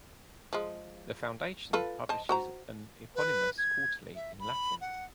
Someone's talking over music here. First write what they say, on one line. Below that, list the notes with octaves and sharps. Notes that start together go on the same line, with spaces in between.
The foundation publishes an eponymous quarterly in Latin.
F3 G#3
F4 A4 B4
C5 D#5 A5
F#4 C5 A#5
B4
G#6
E5
B5
F#5